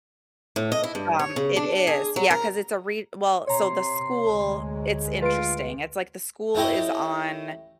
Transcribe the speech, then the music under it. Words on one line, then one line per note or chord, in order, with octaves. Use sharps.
Um, it is. Yeah, 'cause it's a re well so the school it's interesting, it's like the school is on,
A2
D#5
E4
G2
C#5
C#3
D4
G#4
F#3
A#4
C3 C#5 A#5 C6
D2 G#3
F4 B4 D7
A3 C#4 E4 G4 D#5